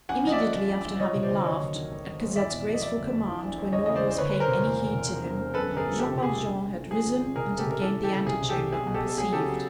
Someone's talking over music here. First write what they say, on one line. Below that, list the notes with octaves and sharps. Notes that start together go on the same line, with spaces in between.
Immediately after having laughed, at Cosette's graceful command, when no one was paying any heed to him, Jean Valjean had risen and had gained the antechamber unperceived.
A1 F#5 G#5
F3 D#5
D5 E5
A1
F3
A#1
G#2
F3 C#5 D#5
C3
C5 D5
D2
F#3 C#5 D#5
D#2
D#3
G#1
G#1
G#2
E2 D5 E5
B2
F#3
D#5
F2 D5 E5
G1
F2
E3
A#1
A#1
E2 C#5 D#5
C#3 D#5
C5 D5
E2
C5
D2 B4 C#5
D2 B4
A#4 C5
C3
E2
E2
C3
E1
E1
E1
F#2 A4 B4
G1
G#4 A#4
F3
F#1 G4 A4
C3 G4
G#4
C3
A#1
A#1
A2
F3 G#4
G#1
G#2
C3 G#4 A#4
F#1
G4 A4
C3 A#4
E3 G4 A4
E3
G4 A4
C#3
C2 G#4
C3
G4 A4
C2
B1 G#4
B2
G4 A4
B2
A4
F#3 G#4
C#3 G4 A4
F#3